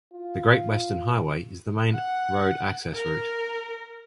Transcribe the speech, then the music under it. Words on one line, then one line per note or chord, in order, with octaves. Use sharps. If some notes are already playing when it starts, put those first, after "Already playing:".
The Great Western Highway is the main road access route.
F4
F#5
A#4